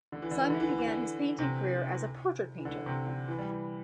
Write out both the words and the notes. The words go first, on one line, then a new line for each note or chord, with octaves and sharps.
Simon began his painting career as a portrait painter.
D3
E3
D3
E3
D3
E3
D3
E3
D3
C3
E3
D3
C3
D3
E3
G3
E3